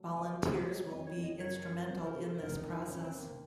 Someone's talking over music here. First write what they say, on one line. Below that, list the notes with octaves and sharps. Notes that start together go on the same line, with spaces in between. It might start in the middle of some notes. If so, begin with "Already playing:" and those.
Volunteers will be instrumental in this process.
Already playing: F#3 A3
D#2 D#5
F#3 C#5
F#3 C#5
D#5
C#5
F2 D#5
C#5
F2
D#5
F#1 C#5
F#1
C3 C5
A#4
C3
A4
C5
F1 A#4
D#4
D#2
D#4
D#3 C#4
C4
C3
A#3